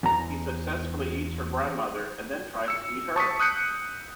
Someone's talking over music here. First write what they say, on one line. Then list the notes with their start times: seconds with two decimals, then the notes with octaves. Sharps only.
He successfully eats her grandmother, and then tries to eat her.
0.03 E2 A#5
2.68 E6 C#7
3.16 A5 C#6 D#6 B6
3.40 D#6 F#6 G6 C#7